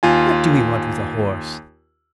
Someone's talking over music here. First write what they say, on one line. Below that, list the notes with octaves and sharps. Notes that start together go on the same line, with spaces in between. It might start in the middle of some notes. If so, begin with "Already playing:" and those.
What do we want with a horse?
D#2 F4 G#5